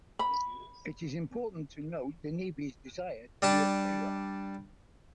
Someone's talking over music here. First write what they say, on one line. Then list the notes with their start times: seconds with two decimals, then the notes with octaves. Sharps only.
It is important to note Denevi's desire to be a playwright.
0.19 B5
3.42 G3 D4 A5